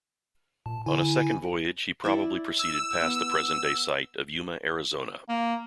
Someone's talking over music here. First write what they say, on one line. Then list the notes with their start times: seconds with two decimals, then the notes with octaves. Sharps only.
On a second voyage, he probably proceeded past the present-day site of Yuma, Arizona.
0.66 A#2 A5
0.86 D3 E4 G#5
2.04 E4 D5 E5
2.59 E6
3.00 B3
5.29 A#3